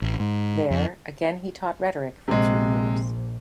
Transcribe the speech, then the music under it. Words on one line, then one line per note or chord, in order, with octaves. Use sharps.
There again he taught rhetoric for three years.
A1
G#2
F2
A#1 C3 G#3